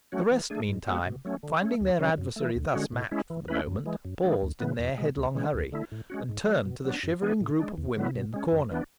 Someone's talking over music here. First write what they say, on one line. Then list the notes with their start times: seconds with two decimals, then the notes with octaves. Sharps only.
The rest meantime, finding their adversary thus matched for the moment, paused in their headlong hurry, and turned to the shivering group of women in the corner.
0.12 F#3 A3 C#4 F#4
0.31 E3
0.50 A3 D4 G#4
0.69 G#2
0.88 G#3 B3 F#4
1.06 B2
1.25 F#3 A3 C#4
1.43 D3
1.62 A3 C#4
1.81 D2
1.99 C#3 F#3 C#4
2.18 F#2
2.36 E3 A3
2.55 D2
2.74 D3 G#3 C#4 F#4
2.92 A2
3.11 G#3 C#4 E4
3.30 E3
3.48 A3 C#4 E4 B4
3.67 F#2
3.86 E3 G#3
4.05 F#2
4.23 E3 G#3 D4
4.42 D2
4.60 C#3 E3 B3
4.79 E2
4.98 B2 G#3
5.17 D2
5.35 C#3 E3 G#3 C#4
5.54 D2
5.72 D3 A3 E4
5.91 A2
6.10 G#3 C#4 F#4
6.29 G#2
6.47 F#3 A3
6.65 B2
6.84 F#3 B3 D4
7.03 F#2
7.22 E3 B3 D4 G#4
7.41 A2
7.59 G#3 D4
7.78 E2
7.97 D3 F#3 B3 E4
8.15 B2
8.34 G#3 C#4
8.52 F#2
8.71 E3 B3 D4